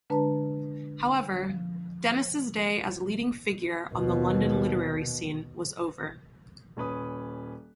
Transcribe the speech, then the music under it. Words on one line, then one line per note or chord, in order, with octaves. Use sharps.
However, Dennis's day as a leading figure on the London literary scene was over.
D3 G#3 D4 B4 A5 A#5
F3
D#2 B2
D#1 C#4 B4 D#6